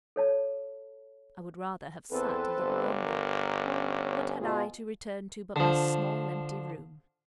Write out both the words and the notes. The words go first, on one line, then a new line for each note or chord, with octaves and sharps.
I would rather have sat a little longer; what had I to return to but my small empty room?
A4 C#5 A5
E2 C4 A4 B4
G1
A#4
C#4
B2 F4 G#4
D3 F3